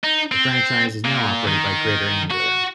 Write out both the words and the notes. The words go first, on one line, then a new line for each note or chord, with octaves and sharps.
The franchise is now operated by Greater Anglia.
D#4
C4
A#2
D#3
F#4